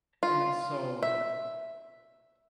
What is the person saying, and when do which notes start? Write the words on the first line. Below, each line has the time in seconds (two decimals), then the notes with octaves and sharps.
and so
0.23 F4
1.03 E5